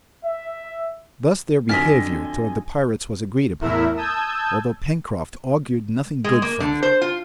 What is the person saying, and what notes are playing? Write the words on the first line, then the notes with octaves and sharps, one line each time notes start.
Thus their behavior towards the pirates was agreed upon, although Pencroft augured nothing good from it.
E5
F2 D3 F#3 F4 D#5 G#5 F6 B6
E2 A2 E4 A#4 E5
A5 D#6 E6 G6 G#6
G#3
A#3
D3
C5
F4